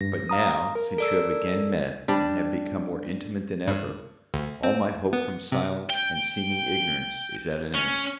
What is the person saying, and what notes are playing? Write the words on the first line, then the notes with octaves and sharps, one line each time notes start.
But, now, since you have again met, and have become more intimate than ever, all my hope from silence and seeming ignorance is at an end.
G2 A#6
F5 A#5 D#6
A#4
A4 D5 E6
G3 D4
G2
D2
C4
B3
C3
G5
C#4